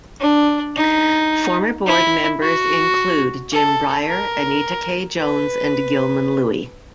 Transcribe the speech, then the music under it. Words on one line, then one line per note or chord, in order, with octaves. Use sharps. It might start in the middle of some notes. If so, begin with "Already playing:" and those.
Former board members include Jim Breyer, Anita K. Jones and Gilman Louie.
D4
D#4
E4
F#4
A4
A#4
B4